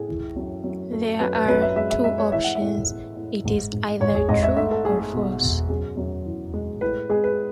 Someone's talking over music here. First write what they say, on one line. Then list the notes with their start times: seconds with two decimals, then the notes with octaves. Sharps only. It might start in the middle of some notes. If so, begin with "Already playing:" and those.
There are two options: it is either true or false.
Already playing: A2 G#4
0.08 E3
0.36 F#2
0.64 F#2
0.92 A3
1.20 F#2 B4
1.34 B4
1.48 F#2 B4
1.62 E5
1.76 G#3 E5
1.90 E5
2.04 G#3 E5
2.18 C#5
2.32 E3 E5
2.44 F#5
2.55 E5
2.61 A2
2.88 A2
3.16 A2
3.45 G#2
3.73 G#2
4.00 G#2 C#5
4.15 G#4
4.29 G#2 D#5
4.43 E5
4.57 A3 E5
4.71 A4
4.85 A3 G#4
4.99 G#4
5.13 B2
5.41 B2
5.69 F#2 G#4
5.97 F#2
6.26 E3
6.54 G#3
6.81 A2 B4
7.09 G#3 G#4
7.24 B4